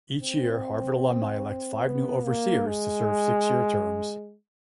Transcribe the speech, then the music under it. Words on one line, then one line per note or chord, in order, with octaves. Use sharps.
Each year, Harvard alumni elect five new overseers to serve six-year terms.
C4
B3
A#3
G#3